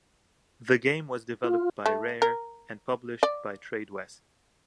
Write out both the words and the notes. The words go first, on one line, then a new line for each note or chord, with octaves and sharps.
The game was developed by Rare and published by Tradewest.
F4
A3
A#4
D5